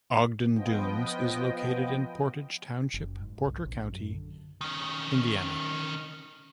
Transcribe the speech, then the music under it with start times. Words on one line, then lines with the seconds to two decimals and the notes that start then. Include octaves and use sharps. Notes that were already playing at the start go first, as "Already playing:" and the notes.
Ogden Dunes is located in Portage Township, Porter County, Indiana.
0.55 F3 B3 D#5 G5
2.94 F#1
3.20 G#2
3.46 C2
3.66 A#1
3.92 F#2
4.14 D3
4.61 D#3 C#4